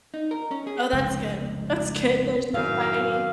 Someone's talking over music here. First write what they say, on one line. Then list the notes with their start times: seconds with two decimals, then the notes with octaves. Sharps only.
Oh, that's good. That's good, there's no fighting.
0.14 D#4
0.31 A#4
0.51 C#4
0.67 G#4
0.93 F1 C#2
2.54 F#2 A2 D#3 F5